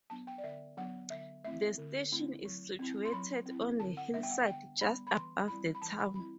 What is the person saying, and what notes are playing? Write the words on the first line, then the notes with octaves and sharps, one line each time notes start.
The station is situated on the hillside just above the town.
F#3 B3 D4 A5
G5
D5
D3 E5
F#3 B3 D4 F#5
D3 E5
A3 C4 E4 E5
D3
A3 C4 E4
F#3
C4 E4
C6
F#3 B5
C4 E4
D3 A5
F#5
G3 B3 D4 E5
G5
F#5
D3 G5
G3 B3 D4 B5
B5
E3 C6
G3 C4 E4 B5
B5
E3 A5
B5
G3 C4 E4 B5